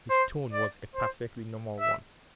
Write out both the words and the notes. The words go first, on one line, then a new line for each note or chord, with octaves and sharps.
His tone was a perfectly normal one.
C5
D5
C5
E5